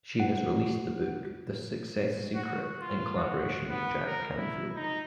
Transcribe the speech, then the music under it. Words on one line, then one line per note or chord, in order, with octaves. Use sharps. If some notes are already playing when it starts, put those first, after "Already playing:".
She has released the book "The Success Secret" in collaboration with Jack Canfield.
F#5
F#4
F4
F#4
B3
A#4
E4
D#4